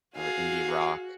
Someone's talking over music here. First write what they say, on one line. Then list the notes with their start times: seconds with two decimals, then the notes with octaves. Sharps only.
or indie rock,
0.17 F#4 G#4 F5